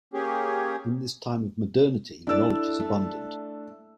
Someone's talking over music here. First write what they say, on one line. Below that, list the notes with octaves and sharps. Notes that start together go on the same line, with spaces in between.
In this time of modernity, knowledge is abundant.
A#3 C#4 G4 G#4
D4 E4 A4 D5 E6
A3